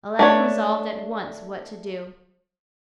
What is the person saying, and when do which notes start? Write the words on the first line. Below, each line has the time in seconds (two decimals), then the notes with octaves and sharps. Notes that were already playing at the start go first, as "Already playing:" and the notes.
Aladdin resolved at once what to do.
0.19 A3 D4 C#5